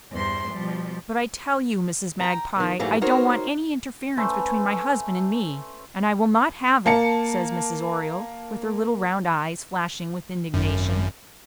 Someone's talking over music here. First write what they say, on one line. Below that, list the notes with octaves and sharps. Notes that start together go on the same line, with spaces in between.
"But I tell you, Mrs. Magpie, I don't want any interference between my husband and me, and I will not have it," says Mrs. Oriole, with her little round eyes flashing with indignation.
E2 G2 C5 C6
B2 F3 G3
G5 A#5
E2 D#3
G#2 E3 F#3 G3 A3 A#3
D#4 F#4 A#4 C5 C#5
A3 C#4 B4 C5
A#3 A5 C#7
G#1 F#2